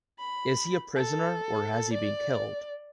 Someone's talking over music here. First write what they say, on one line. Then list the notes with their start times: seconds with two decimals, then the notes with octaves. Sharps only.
Is he a prisoner or has he been killed?
0.19 B5
0.96 A4
1.94 D5